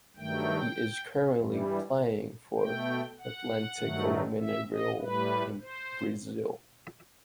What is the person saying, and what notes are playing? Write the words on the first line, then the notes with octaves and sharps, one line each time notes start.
He is currently playing for Atletico Mineiro in Brazil.
G2 D#3 F#3 A3 G5
G2 E3 G3
B2 A3 G5
F#5
G2 D#3 F#3 A3
E5
D#5
A2 G3 B4
C5